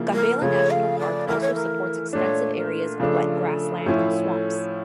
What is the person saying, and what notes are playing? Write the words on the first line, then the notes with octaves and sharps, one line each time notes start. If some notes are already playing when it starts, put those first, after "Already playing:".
Gambela National Park also supports extensive areas of wet grassland and swamps.
Already playing: C#3 F3 A#3 E4
A#4
C#3 F3 A3 C#5
F5
D5
E3 A3 E4 A#4
C#5
A#4
A#2 A3 D4 C#5
A#4
C#3 F3 A3 D4 A4
A2 F3 C#4 E4